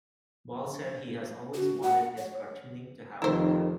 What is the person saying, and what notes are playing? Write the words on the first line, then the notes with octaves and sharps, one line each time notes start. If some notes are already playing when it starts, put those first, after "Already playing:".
Ball said he has always wanted his cartooning to have an impact.
F#4
F#5
C#5
F1 D#3 E4 C5